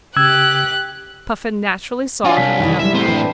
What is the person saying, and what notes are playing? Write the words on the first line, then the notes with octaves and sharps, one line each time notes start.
Puffin naturally saw it in another light.
C#3 G4 E6 F#6 G#6
D4 F4 F#4 C#5 F5 G#5
C2 B6
D#3 E3
G3 G#3 E5
A2 A3 C4 C5
E3 D4 B4